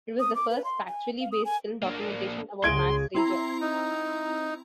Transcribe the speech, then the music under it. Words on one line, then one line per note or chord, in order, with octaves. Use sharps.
It was the first factually based film documentation about Max Reger.
D#6
D6
B4
C6
G#5
F5
D#6
G#5
A#3 D4
C#2 C#3 G#3 A#3 G#4 C6 G#6 D7
C4 E4 A#5 C6
D#4